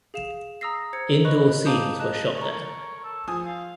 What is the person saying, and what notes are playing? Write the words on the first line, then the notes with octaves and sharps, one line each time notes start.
Indoor scenes were shot there.
G#4 F5 E7 F7
A#5 D#6 E6 A#6 C7
C5 G#6 C#7
A#4 B4 D#5 B5 C#6 F#6
F5 A5 A#5 D6 D#6 G6
G#4 D#5 A5 F#6
A4 A#4 C#5
A4
F3 G#4 G#5 D#6
F5